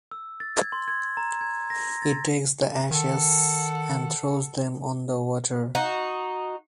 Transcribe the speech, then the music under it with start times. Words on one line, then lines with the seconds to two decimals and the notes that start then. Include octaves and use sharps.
He takes the ashes and throws them on the water.
0.11 E6
0.40 A6
0.56 G#6
0.72 C6
0.88 G#6
1.17 A#5
1.41 G#6
1.70 A#6
2.02 A6
2.91 D#3 A4 F#5
5.75 D#4 F#4